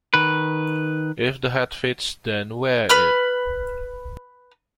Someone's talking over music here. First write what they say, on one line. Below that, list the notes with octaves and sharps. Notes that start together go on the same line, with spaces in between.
If the hat fits, then wear it!
D#3 B4
B4 B5 F6